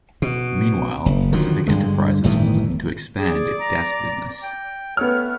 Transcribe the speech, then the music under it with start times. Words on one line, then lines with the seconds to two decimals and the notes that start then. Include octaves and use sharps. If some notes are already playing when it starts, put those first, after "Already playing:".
Meanwhile, Pacific Enterprises was looking to expand its gas business.
0.22 B2
1.06 F#1
1.32 D3 D#3 F3 F#3
1.68 G2 D3 G#3
2.24 G1 A2 D#3 E3
3.19 G#4 D5
3.60 A#5
4.43 G5
4.97 A3 B3 C#5 F6